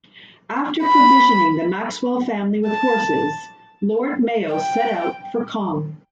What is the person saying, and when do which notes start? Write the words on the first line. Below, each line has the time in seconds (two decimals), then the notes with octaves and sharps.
After provisioning the Maxwell family with horses, Lord Mayo set out for Cong.
0.82 B5
2.67 A5
4.52 G5